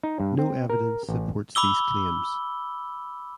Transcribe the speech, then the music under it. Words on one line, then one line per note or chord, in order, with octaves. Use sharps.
No evidence supports these claims.
D#4
G2
C4
A#4
A1
B5 D6 E6 G7